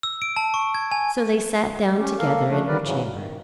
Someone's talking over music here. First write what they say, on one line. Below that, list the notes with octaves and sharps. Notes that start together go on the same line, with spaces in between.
So they sat down together in her chamber.
E6
D7
A5
C#6
G#6
G#5
C#4 G4
A#3 A4 A#4 F5
F3 A3 D4
D3 G3 A#4 B4 D5
G#2 C#3 E3 F#3
D#3